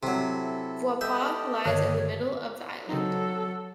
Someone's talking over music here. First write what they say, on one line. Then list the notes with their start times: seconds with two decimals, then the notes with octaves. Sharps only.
Vaipoa lies in the middle of the island.
0.03 C3 F#3 E4 A4
1.01 G4 A4 D#5 E5 G6
1.66 G2 D3 D#3 C#5
2.89 C#3 F#3 C4 D#4 A4